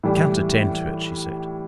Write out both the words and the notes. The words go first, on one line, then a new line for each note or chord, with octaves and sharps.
"I can't attend to it," she said.
A2 E3 G3